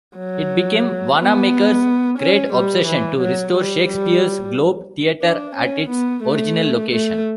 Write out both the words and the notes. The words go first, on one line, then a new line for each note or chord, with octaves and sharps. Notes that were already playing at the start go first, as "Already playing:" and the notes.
It became Wanamaker's "great obsession" to restore Shakespeare's Globe Theatre at its original location.
F#3
B3
C#4
G3
E3
F#3
G3
G3
D4
C#4
B3
A3
A3